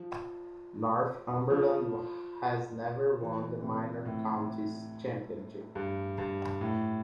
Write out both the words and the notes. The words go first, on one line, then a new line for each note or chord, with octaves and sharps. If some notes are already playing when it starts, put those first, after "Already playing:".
Northumberland has never won the Minor Counties Championship.
Already playing: F3
F3
E3
C3
A2
G2
G2
A2